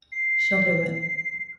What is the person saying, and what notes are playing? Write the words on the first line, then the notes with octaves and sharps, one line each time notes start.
She'll do it.
C7